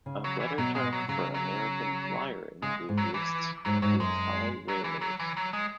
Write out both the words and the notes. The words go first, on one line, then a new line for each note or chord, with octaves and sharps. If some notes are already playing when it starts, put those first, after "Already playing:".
A better term for American Flyer enthusiasts is Highrailers.
C#3
F#3
E3
B2 F#3
G#3
B2
F#3
C#3 F#3
F#3
C#3 G#3
G#2
F#3
E3
G#2 F#3
G#2 F#3
F#2 G#3
F#3
E3
F#3
E3
F#3
G#3